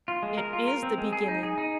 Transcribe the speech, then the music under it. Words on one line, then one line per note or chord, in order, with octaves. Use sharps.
It is the beginning!
F4
G#3
A#4
F4
A#4
C4
G#3
G#4
D#4
G#4
D#4